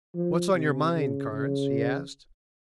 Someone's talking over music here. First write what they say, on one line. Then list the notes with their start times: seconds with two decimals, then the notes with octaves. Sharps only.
"What's on your mind, Carnes?" he asked.
0.15 F3
0.54 C3
0.93 C#3
1.31 C#3